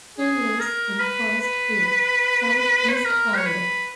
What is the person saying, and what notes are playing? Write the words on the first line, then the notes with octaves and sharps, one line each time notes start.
He lives in Forest Hill, south east London.
G#4
A#4
B4
B4
C#5
B4
A#4
C#5
B4